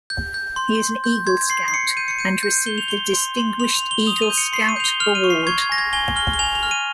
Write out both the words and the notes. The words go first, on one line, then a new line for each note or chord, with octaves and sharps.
He is an Eagle Scout, and received the Distinguished Eagle Scout Award.
G6
G6
C6
C6
G6
C6 G#6
C6 C7
C7
C6 C#7
G6 D#7
C#7
G6 D#7
G6
G6 G7
F7
C6 G7
C6
C6
C6 F7
F7
C6
G7
D#6 F7
F7
D#7
G6
C#7
C6 C7
D#7
G6 F7
G7
F6 F7
D#7
C#6
C7
C#6 G#6
G#6
G#5 A#6
G#6
G#5 G7
F6 G7
G7
G#5 F7
F7
F6
D#7